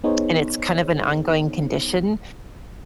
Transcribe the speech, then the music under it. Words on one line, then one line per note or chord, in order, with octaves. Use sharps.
and it's kind of an ongoing condition,
B3 D#4 G#4 C5 C#5